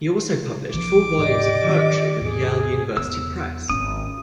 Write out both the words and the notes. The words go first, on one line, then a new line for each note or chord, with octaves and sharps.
He also published four volumes of poetry with the Yale University Press.
A#1 E3 F3 D6
D#1 G#2 E3 G4 D5 D#5
D#3 C4 D4
D#2 G#2 G#4
E2 E6
G#1 C#4 D#6